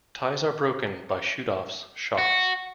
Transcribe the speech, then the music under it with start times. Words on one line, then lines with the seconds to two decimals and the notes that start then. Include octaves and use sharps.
Ties are broken by shoot-offs shots.
2.18 F#4